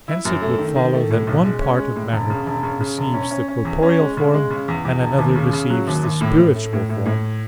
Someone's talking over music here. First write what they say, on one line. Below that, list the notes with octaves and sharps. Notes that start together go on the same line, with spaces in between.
Hence it would follow that one part of matter receives the corporeal form, and another receives the spiritual form.
E4
F#2
A3
D#3
D#3
A3
A2
B1
G#3
C#4
G#3
A2
E1
C#3
E1
C#3
C#3
E1
C#4
C#4
C#4
E2
C#4
G#3
C#3
G#3
C#3
E2
E2
E1
D#2
C#3
C#3
F#3
D#2
D#2
A2
A2
A3
A2
A2
A2